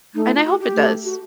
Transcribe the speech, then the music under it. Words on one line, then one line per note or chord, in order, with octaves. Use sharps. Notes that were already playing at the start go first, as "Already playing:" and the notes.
and I hope it does,
A3 D#4
E4
F4
F#4
G4
A3
F#4